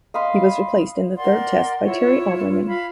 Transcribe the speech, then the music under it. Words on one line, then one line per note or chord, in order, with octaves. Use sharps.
He was replaced in the third test by Terry Alderman.
D#5 F5 B5 C6
A#4 D5 F#5 C6
E4 F4 C#5
F5 B5